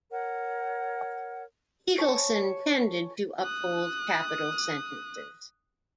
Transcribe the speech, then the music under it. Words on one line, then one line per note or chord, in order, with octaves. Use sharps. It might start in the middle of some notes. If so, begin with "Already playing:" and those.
Eagleson tended to uphold capital sentences.
A#4 C#5 F#5
C#5 G#5 A5 C#6
D#6 F#6